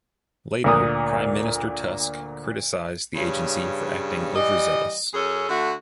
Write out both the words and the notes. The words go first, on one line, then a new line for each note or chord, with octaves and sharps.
Later, Prime Minister Tusk criticized the agency for acting overzealous.
D2 A#2 D#6
G2 C#3
E3 G3 D#5
F#2 C#4 G#4 A4
D3 A3 F#4